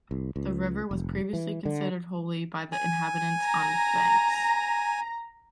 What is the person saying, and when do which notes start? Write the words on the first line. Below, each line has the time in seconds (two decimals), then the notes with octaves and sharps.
The river was previously considered holy by the inhabitants on its banks.
0.11 C2
0.36 C#2
0.91 F1
1.33 E3
1.65 D3
2.72 G#5
3.43 A#5